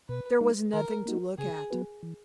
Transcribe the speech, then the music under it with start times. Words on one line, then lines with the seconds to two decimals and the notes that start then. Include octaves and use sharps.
There was nothing to look at.
0.08 B2 B4
0.41 G#3 D#4 A#4
0.73 D#3 A#4
1.06 A#3 D#4 F#4
1.38 C#3 G#4
1.71 F#3 B3 F#4 B4
2.03 E3